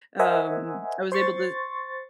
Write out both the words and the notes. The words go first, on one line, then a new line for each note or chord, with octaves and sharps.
um, I was able to
A#4 C5 D#5 E5 F#5 G#5
C5 C6 C#6 A6